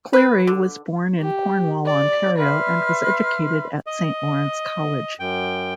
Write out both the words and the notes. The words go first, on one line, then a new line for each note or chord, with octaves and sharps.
Cleary was born in Cornwall, Ontario, and was educated at Saint Lawrence College.
B4
D3
G4
D5
B4 E5 C6 F6
D#5
F#2 G5